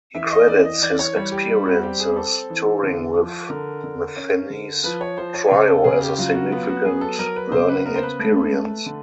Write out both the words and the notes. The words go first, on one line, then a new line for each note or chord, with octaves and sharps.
He credits his experiences touring with Metheny's trio as a significant learning experience.
E3 E5
D#5
E3 D5
D#5
E3 D5
C#5
G3 C#5
G4
G3
F#4
C4 G4
G#4
C4 A4
E3
D3
F3
D3 A#4
D3
C#4
D3
F3 B4
C#5
F3 C5
C#5
C#3 C#5
A4
C#3 G#4
G4
F#3 F4
F#4
B3 F4
F#4
F#3 G#4
A4
F#3 A#4
B4
C#3 C5
B4
B3 A#4
C5
B4
A3
A3
D3